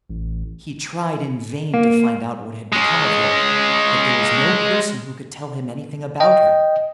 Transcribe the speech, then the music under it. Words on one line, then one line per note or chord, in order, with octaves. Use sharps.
He tried in vain to find out what had become of her, but there was no person who could tell him anything about her.
A1
A#3
G#3 C#4
D#5 G5